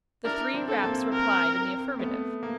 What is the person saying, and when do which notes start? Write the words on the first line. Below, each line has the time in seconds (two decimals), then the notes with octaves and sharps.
The three raps replied in the affirmative.
0.25 D4 E4 A#4
0.54 C4 D4
0.68 A4
0.84 A#3 C4
1.13 A#4
1.99 A3 B3
2.43 A#3